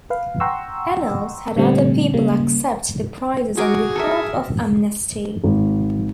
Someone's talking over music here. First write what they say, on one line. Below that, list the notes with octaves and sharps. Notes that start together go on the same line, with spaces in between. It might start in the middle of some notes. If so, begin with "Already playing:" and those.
Ennals had other people accept the prizes on behalf of Amnesty.
B4 F5
F#5 G5 A#5 C6 C#6 E6
A#2 D3 G3 A3 C4
C#3 G3 A#3
F#4 G#4 A#4 D6
A4 A#4 E5
G#1